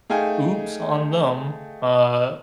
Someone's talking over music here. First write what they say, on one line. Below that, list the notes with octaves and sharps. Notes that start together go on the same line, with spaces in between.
Oops on them. Uh,
A3 D#4 G#4 F5 G5 G#5